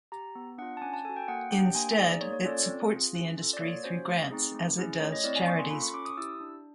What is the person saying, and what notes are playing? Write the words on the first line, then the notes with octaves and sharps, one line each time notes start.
Instead, it supports the industry through grants, as it does charities.
G4 A#5
B3
D4 F4 F#5
A5
C#4 G#5
A5
F#4 A4 G#5
G5
A#3 F#5
D4 G4 G5
A#3 G#5
D#4 G#4 D5
A#3 C#5
C#5
C#4 F4 A4 D5
C4
F4 G#4
C#4
F4 A4
D5
A#3 C#5
C#4 F#4 C5
A3
C4 D#4 G#4
A3
C#4 E4 G#4
A3 C#5
D#5
C4 E4 D5
G#5
A#3 C#6
C6
C#4 F4 A4 B5
C#6
C#4 D6
D#6
E4 G4 E6
D4